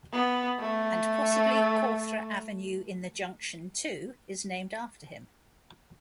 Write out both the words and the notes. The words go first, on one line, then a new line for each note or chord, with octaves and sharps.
And possibly Cawthra Avenue in the Junction too, is named after him.
B3
A3